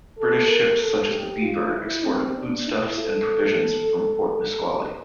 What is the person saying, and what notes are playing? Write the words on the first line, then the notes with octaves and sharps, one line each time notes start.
British ships such as the "Beaver", exported foodstuffs and provisions from Fort Nisqually.
A4
A#4
A4
G4
F4
E4
C4
D4
E4
A4